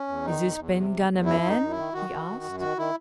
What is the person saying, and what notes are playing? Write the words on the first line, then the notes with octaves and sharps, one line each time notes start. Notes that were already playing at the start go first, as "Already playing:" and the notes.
"Is this Ben Gunn a man?" he asked.
Already playing: C#4
E2
D#3 D#4
E2
E2
C3
E2
E2
F#2 E4
F#2
D#4
F#2
E4
D#3
D#3 F#4
D#3
D#3
F#2
D#3 F#4
D#3 E4